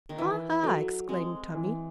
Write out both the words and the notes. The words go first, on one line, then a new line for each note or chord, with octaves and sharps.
"Ha, ha!" exclaimed Tommie.
D#3
E3 E4
F#3 A4
G#3 C4
E3